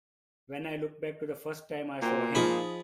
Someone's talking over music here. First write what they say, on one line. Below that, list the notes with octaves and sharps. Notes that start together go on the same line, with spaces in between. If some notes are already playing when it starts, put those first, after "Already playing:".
When I look back to the first time I saw him!
A#2 F#4 C5 G5
F3 D#4 F4 G#4 D#5 B5